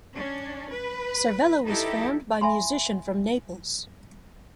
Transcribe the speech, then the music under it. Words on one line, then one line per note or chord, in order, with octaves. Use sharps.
Cervello was formed by musician from Naples.
C#4 D4
B4
D#4 E4 G4 A4
E5 G#5 A5 B5 C6